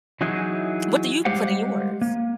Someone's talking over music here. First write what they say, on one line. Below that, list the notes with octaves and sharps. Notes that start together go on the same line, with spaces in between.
What do you put in yours?
E3 F#3 D#4 E4 G#4
G3 G#3 G4 C5 F5 F#5
A#3